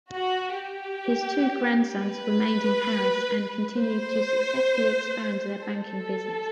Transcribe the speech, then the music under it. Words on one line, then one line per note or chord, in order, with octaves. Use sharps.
His two grandsons remained in Paris and continued to successfully expand their banking business.
F#4
G4
B4
C5
A4